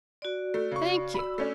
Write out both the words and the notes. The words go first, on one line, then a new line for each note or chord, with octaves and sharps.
'Thank you.
F#4 D5
A3
C#3 C#6
B5 E6
A3 C#4 D4